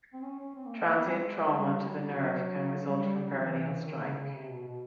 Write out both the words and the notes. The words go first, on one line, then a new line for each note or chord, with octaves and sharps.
Transient trauma to the nerve can result from peroneal strike.
C4
C#4
C#4
C4
A#3
A3
A#3
B3
C4
G#3
G3
F#3
G3
F#3
G3
G3
G3
F#3
E3
D#3
C#3
C#3
C3
B2
B2